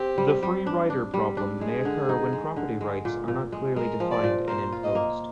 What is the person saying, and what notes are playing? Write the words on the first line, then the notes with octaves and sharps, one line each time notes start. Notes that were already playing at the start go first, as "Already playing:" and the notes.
The free-rider problem may occur when property rights are not clearly defined and imposed.
Already playing: C4 G4
G3
G3
D4
D4
G3
D4
G#3 G#4
D3
D#4
G#3
D3
G#3
A#2
A#2
G#3
G#3 A#4
F3
D5
A#2
A#4 C5
F4
D#5
A#3